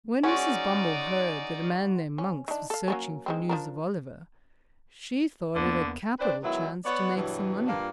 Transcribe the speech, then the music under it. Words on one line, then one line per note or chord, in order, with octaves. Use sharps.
When Mrs. Bumble heard that a man named Monks was searching for news of Oliver, she thought it a capital chance to make some money.
G#3 C#4 D#4 F#4 A#4 D5
C#4
D#3 D4
A4 F5
F#3 A#3 C#4
D#3 G#3 C4
F3 D4 A#4
E2 D3 A#3 B3
C4 D4 B4 C5 D5
D#3 F#3 G#3 B3 E4
B3 C#5 D5 F#5
G2 B2 E3 F#3
G2 A#3 D4 F4